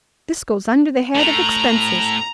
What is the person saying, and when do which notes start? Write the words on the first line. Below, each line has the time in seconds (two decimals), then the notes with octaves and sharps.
This goes under the head of expenses.
1.15 A2 A#5